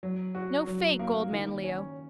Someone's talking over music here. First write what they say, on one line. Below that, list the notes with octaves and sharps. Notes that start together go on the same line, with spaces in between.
No fake, old man Leo.
F#3
F#4
F#3
A#3
D#3
C#4